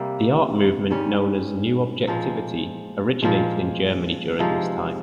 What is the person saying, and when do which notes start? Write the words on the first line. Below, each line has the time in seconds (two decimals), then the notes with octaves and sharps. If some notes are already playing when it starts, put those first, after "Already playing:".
The art movement known as New Objectivity originated in Germany during this time.
Already playing: C3 G3 A#3
0.90 G#2 G3 C#4
2.07 A#2 F3 G#3
3.22 A#2 F3 G#3
4.39 C3 F3 G#3 D#4